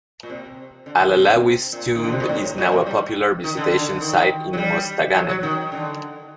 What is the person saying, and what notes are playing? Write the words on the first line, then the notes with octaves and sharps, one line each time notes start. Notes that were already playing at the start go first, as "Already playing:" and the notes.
Al-Alawi's tomb is now a popular visitation sight in Mostaganem.
A#2
C3
D3
D#3
C3
A#2
D#3
D3
C3
A#2
A2
A#2
A2
G3
D#3
D3
D3
D#3
F#3
G3
F#3
F#3
D#3
D3